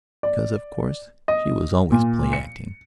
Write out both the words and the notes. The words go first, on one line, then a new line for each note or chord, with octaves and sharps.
Because of course she was always play acting.
D5
D#5
A#2
C#7